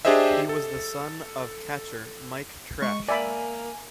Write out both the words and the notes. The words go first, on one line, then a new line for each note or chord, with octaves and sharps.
He was the son of catcher Mike Tresh.
D4 G4 G#4 C5 D#5 E5
A4
G#3 C#6
A#3 D5 E5 G#5 B5